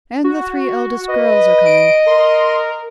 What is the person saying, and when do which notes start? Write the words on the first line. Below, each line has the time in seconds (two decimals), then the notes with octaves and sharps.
"And the three eldest girls are coming."
0.24 F#4
1.09 B4 D#5
1.65 D7
2.07 A#4 C6